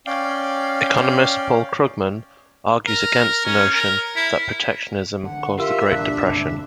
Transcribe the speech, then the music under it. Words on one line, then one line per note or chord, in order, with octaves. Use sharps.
Economist Paul Krugman argues against the notion that protectionism caused the Great Depression.
C#4 D5 F5 G5
A#4
C#4
A#4
E4
D3 F#5
F4 G4 A#4 E5 E6
A#2 D4 F#6
F#2 C#3 C4